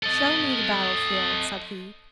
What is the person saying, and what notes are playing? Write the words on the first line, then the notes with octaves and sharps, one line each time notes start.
'Show me the battle-field,' said he.
A4 D#5